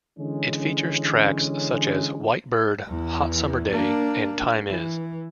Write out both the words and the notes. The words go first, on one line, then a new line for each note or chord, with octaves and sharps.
It features tracks such as "White Bird", "Hot Summer Day", and "Time Is".
D3 E3 G#3 C#4
E2 E3
A#3 D4
E3